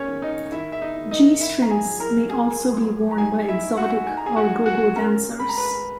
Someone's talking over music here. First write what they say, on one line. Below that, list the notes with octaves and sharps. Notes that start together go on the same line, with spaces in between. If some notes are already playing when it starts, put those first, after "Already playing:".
G-strings may also be worn by exotic or go-go dancers.
Already playing: A#3 C#4 C#5
D#3
D#4 D#5
D#3 E4 E5
E5
D#4 D#5
D#3
D#4 D#5
D#3 E4 E5
A#5
G#4 G#5
F#3
A#4 A#5
A#3 G#4 G#5
F#3
A#5
D#4 G#4 G#5
E4 E5
D#4
F#4 F#5
D#4 G#5
A#5
G#4 G#5
F#4 F#5
D#4
F#4 F#5
C#4 A#4 A#5
G#3 B5
A#5
B4 B5